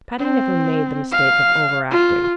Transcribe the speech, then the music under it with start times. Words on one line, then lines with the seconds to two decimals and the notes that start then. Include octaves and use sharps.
Patty never made the mistake of over-acting.
0.19 C4
1.12 F5
1.91 F4